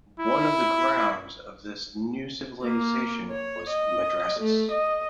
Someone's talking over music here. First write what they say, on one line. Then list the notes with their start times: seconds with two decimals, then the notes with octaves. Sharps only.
One of the grounds of this new civilization was madrasas.
0.20 E4
2.63 A#3
3.32 C#5
3.70 D#5
4.40 A3
4.72 D#5